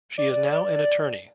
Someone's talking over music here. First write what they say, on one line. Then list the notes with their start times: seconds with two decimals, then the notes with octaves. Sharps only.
She is now an attorney.
0.18 D5